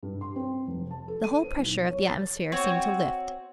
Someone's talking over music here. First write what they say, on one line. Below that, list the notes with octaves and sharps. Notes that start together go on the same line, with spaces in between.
The whole pressure of the atmosphere seemed to lift.
G2
C6
C4
F1
A5
A4
D#7
C5
B1
C#5
A6
C4 F#4 C#5